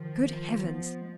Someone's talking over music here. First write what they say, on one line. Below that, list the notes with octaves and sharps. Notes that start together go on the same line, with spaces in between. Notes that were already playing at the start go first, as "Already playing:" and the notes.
Good heavens!
Already playing: D#3 F3
B3
G#3